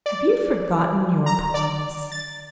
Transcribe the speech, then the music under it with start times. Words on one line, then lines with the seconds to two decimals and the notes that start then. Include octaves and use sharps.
Have you forgotten your promise?
0.06 D5
1.26 A#5
1.54 D5
2.12 A6